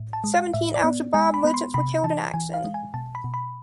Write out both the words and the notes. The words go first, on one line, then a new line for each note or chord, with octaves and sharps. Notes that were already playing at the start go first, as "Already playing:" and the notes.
Seventeen Al-Shabaab militants were killed in action.
Already playing: A2
A5
G#3
F5
A2 E5
D5
B3
G#3 G#5
B5
B3 B5
C6
C3 B5
E3 A5
E3 G#5
F5
G#3
G#5
B2 A5
B5
B2
B5